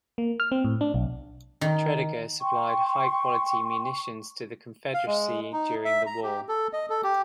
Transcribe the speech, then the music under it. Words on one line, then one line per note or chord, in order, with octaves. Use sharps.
Tredegar supplied high-quality munitions to the Confederacy during the war.
A#3
F6
C4
A2
D4
B1
D#3
G5 C6 C#6
F5
G#3
D#4
E5
A#5
G4
A4
D#5
A4
G4